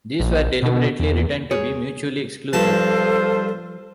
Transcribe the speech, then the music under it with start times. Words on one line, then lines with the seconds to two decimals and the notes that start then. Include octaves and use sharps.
These were deliberately written to be mutually exclusive.
0.19 A#1
0.62 B2
1.00 E2
1.51 G#4 C#5
2.53 G2 F3 F4 A4 C5 A5